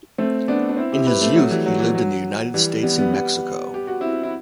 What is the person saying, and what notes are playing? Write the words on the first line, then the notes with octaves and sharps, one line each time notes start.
In his youth he lived in the United States and Mexico.
A3 C4
B3 D4
D4
C4 E4
E4 G4
G4 B4
A3 C4
F#3 A3
E3 G3
F#3
E3
F#3
E3 G3
G3 B3
G3 B3
G3 B3
G4
F#4
C4 E4
E4